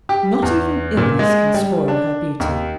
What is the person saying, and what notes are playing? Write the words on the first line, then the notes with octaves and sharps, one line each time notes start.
"Not even illness can spoil her beauty!"
G4
E2
A#2
G#3
G3
D4
D#2